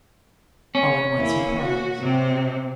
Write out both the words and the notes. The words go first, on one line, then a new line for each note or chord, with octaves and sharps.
All at once he paused.
C#4
E2 A#3 E4
F#4
C3 C4